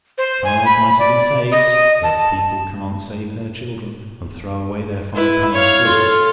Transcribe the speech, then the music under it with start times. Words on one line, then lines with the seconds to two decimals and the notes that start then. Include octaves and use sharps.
The child might have been saved; but people can't save their children and throw away their five pounds too.
0.18 C5
0.44 G#5
0.65 B5
0.99 D5
1.52 D#5
2.03 A5
5.15 E4 B4
5.53 C#5 F5
5.87 F4 A4